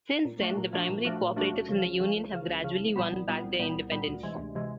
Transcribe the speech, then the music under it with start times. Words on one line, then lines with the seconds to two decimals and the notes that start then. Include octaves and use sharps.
Since then, the primary co-operatives and their union have gradually won back their independence.
0.25 A#2
0.41 F3 A3 D4 F#4
0.57 A#2
0.73 F3 A3 D4 F#4
0.89 A#2
1.05 F3 A3 D4 F#4
1.21 A#2
1.36 F3 A3 D4 F#4
1.53 C#2
1.69 C#3 F3
1.85 C#2
2.00 C#3 F3
2.16 C#2
2.32 C#3 F3
2.48 C#2
2.64 C#3 F3
2.80 C2
2.96 A#2 G3 B3
3.12 C2
3.28 A#2 G3 B3
3.44 C2
3.59 A#2 G3 B3
3.75 C2
3.92 A#2 G3 B3
4.07 D2
4.23 C3 E3 G#3
4.39 D2
4.55 C3 E3 G#3